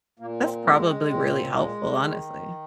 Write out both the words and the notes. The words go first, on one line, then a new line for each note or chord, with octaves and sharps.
That's probably really helpful, honestly.
A#2 A#3
C4
G#3 C4 D#4
C4
A#2 C4
G#3
D#3